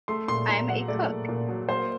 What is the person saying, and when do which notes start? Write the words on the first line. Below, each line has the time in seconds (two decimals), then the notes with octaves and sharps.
I’m a cook.
0.08 A3 C6
0.28 A#2 C6
0.48 A#2 A#5
0.69 F#3 F#5
0.88 A3 D5
1.08 A#2
1.29 A#2
1.49 F#3
1.69 A#3 C5